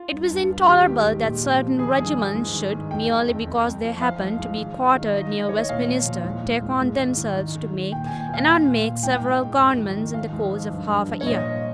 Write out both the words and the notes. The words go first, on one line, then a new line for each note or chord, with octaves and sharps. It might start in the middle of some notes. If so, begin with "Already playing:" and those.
It was intolerable that certain regiments should, merely because they happened to be quartered near Westminster, take on themselves to make and unmake several governments in the course of half a year.
Already playing: F4
G2
G2
G2
D#3 G4
G#2
G#2
A#2
F3
F3
D#3 G#4
G2
G2
G#2
D#3
D#3
F2 G5
D#3
F2
F2
F2
F3
F3 F5
G#2
G#2
D#3
D#3
D#3
D#3 D#5
D#3
D#3 C#5
D#5
A#2 F5
F3
A#2
G#2
G#2
G#2
G#2
D#3
D#3
D#3
D#3
D#3
A#2 G5
A#2 G#5
G5
A#2 F5
A#2
A#2
A#2
G#2 G5
G#2
G#2
F2
D#3
D#3
F3 F5
G#2
F3
G2
G2
F3
C#5
A#2 D#5
F3